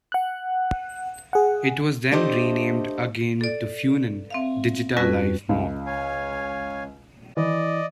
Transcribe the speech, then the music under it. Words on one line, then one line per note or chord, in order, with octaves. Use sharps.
It was then renamed again to Funan DigitaLife Mall.
F#5 F#6
G#4 F#5
A3 D4 G4 A4 C5 D#5
A4 D5
C4 E5 F5
F2 G3 C#4 F#4 B4 A6
C#2
C#5 F5 G#5
E3 D5 D#5